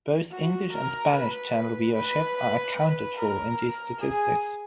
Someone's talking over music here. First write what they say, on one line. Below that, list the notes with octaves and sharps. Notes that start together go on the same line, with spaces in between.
Both English and Spanish channel viewership are accounted for in these statistics.
F#4
A#4
B4
B4
B4
B4
A#4
G#4